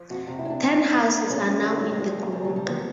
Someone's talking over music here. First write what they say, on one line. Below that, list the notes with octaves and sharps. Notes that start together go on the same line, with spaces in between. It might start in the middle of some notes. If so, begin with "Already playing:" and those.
Ten houses are now in the group.
Already playing: F3
F2 F#4
C3
E4
F2 C#4 D4
G2 D4
G2
E3
E3
F3 C#4
F#2
D3 G3
F#2 G3
G#3
F3 G3
D#2
C#3 G3
D#2 F#3
G3
F3 B3